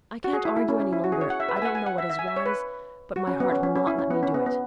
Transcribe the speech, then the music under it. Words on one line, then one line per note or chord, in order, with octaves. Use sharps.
I can't argue any longer,--I don't know what is wise; but my heart will not let me do it.
F#4
G#4
E4
E4
C#4
C#4
E4
F#4
G#4
C#5
F#5
E5
B4
E5
G#5
F#5
G#5
F#5
E5
E5
G#5
E5
C#5
B4
F#4
C#4
B3
C#4
C#4
C#4
E4
C#4
B3
C#4
B3
B3